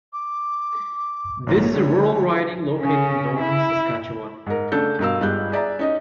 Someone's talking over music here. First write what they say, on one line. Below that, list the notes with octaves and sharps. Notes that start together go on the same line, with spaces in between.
This is a rural riding located in northern Saskatchewan.
D6
A#1 G#2 C#5
D3 G3 A3
C#3 C#4
E4
G#2 A#4
C#3 A3 D4 A4 G6
G2 B2 A#4 F5 E6
G1 G3 G#3 F#6 G6
G#4 D5 E5 A#5
C#4 D#4 D#5